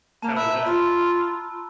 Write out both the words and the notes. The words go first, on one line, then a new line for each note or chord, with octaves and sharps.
How was that?
A#3 A5 A#5
E5 B5 E6 F#6
F4